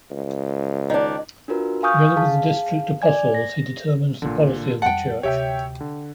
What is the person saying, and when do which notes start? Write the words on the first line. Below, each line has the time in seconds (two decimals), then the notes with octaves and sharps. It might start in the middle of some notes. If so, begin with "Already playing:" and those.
Together with the district apostles he determines the policy of the church.
0.11 C#2
0.90 D#3 D4
1.48 D4 F4 F#4 A#4 B4
1.83 F5 G#5 C#6 D#6 F6 G6
2.16 G#4 F5 A5
3.02 D5 G#5 G#6
3.34 A#6
4.22 A1 A#2 D3
4.82 F2 G3 F#5 G5 A5
5.23 D2 C3 G4 C#5 E5 G5
5.81 D3